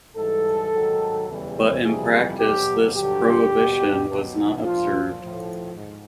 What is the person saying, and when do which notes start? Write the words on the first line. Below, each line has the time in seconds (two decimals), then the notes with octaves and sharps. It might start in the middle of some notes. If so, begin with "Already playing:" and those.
But in practice this prohibition was not observed.
0.15 G#2 E3 G3 A4
0.72 G#2 D#3 F#3
1.27 E2 C#3 E3 G3
1.83 F2 C3 E3 G3 G#4
2.39 B2 F#3 G4
2.95 G2 D3 F#3 G4
3.51 E2 B2 G3
4.07 B2 F#3
4.63 A#2 F3 F4
5.19 A2 F3
5.75 G#2